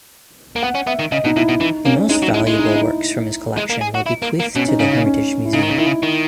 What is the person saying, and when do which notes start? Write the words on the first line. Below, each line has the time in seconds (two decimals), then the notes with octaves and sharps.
The most valuable works from his collection were bequeathed to the Hermitage Museum.
0.56 A#3
0.63 B3 F#5
0.75 C#4
0.87 B3 E5
0.99 D#3
1.12 C#3 D#5
1.24 B2 D#4
1.36 B2 E4
1.49 B2
1.61 E3 D#4
1.85 A#3 C#4
2.09 G#3 D#4
2.22 F#3
2.34 G#3 E4
2.47 G#3
2.59 D#4
2.67 E4
2.76 D#4
3.57 G#3
3.70 A#3
3.81 G#4
3.95 F#4
4.06 E4
4.22 A#3
4.40 A#3
4.56 B2 C#4
4.68 D#4
4.79 C#3 C#4
4.93 D#4
5.06 C#4
5.45 E4
5.53 C#3 D#4
5.62 D#3
5.69 C#3
5.77 D#3 E4
5.86 C#3
6.03 D#3